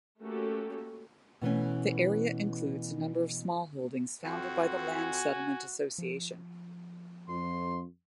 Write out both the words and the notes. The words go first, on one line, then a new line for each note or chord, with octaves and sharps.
The area includes a number of smallholdings founded by the Land Settlement Association.
A3 A#3 C#4 F#4 G4 A4
B2 E3 A3 C#4
F2 F#4
G#5
F3
F2 C6